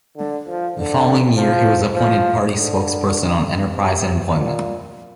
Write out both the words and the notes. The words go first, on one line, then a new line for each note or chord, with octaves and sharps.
The following year he was appointed party spokesperson on Enterprise and Employment.
D3
F3
D3
F3
F3
D3
C3
A#2